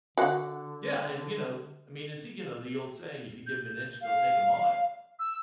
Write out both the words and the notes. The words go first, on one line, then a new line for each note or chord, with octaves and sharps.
yeah, and, you know I mean, it's you know, the old saying, "If you give 'em an inch, they'll take a mile."
D3 F#4 F#5
G6
F5
E6